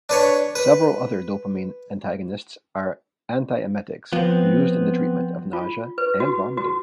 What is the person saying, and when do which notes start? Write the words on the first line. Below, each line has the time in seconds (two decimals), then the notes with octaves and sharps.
Several other dopamine antagonists are antiemetics used in the treatment of nausea and vomiting.
0.09 D4 B4 C#5
0.55 B4
4.13 F3 B3 C4
5.53 F4
5.98 B4
6.20 F#4
6.57 F#4